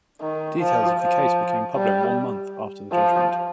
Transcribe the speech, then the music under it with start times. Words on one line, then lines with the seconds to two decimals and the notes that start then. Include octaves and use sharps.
Details of the case became public one month after the judgement.
0.21 D#3
0.59 F3
0.98 F3
1.76 G3
2.92 F3